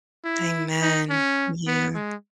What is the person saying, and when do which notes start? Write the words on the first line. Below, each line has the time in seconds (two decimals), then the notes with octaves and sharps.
Amen, yeah.
0.24 E4
0.81 D#4
1.10 C#4
1.67 B3
1.95 G#3